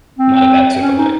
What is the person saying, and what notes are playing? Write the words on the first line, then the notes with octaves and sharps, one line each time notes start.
Not adapt to, but like
C4
C#4
D#4